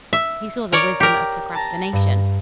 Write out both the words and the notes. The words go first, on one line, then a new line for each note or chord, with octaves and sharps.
He saw the wisdom of procrastination.
E5
A#4 C#5 D5
G4 A#4
A5 A#5
G2